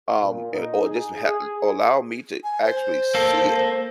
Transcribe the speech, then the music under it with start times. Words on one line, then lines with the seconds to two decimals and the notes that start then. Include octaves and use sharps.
um, an or just ha allow me to actually see it,
0.20 A#2
0.52 D#4
0.82 G#4
1.23 G#4
2.44 G#5
2.64 C5
3.15 A#3 A4